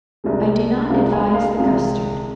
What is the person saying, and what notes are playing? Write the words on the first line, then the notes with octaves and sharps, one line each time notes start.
I do not advise the custard.
C2 C3 G#3
C2 C3 G#3 F5
G#5
F5
C2 C3 G#3 F5